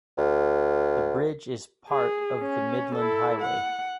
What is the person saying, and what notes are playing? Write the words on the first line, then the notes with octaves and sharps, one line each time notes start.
The bridge is part of the Midland Highway.
D2
G#4
C#4
E4 A4
F#5